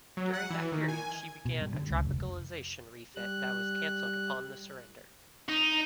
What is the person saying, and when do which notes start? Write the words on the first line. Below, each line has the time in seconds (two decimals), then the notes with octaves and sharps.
During that period she began a tropicalization refit that was cancelled upon the surrender.
0.17 F#3
0.33 F#5
0.50 E3
0.72 D#3
0.88 G#5
1.45 B2
1.61 G2
1.74 D3
1.90 C#2
2.05 F1
3.16 G3 F#6
5.49 D#4